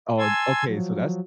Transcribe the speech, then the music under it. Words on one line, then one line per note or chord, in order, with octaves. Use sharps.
Oh, an okay, so that's
G#5 A5 C6 E6 G#6
F3 F#3